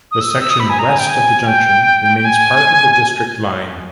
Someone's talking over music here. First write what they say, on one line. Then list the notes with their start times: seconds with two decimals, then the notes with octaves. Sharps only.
The section west of the junction remains part of the District line.
0.11 D#6
0.21 E6
0.30 D#6
0.41 E6
0.50 D#6
0.60 B5
0.70 G#5
0.79 A#5
0.89 G#5
0.99 G5
1.09 G#5
1.47 G5
2.25 G#5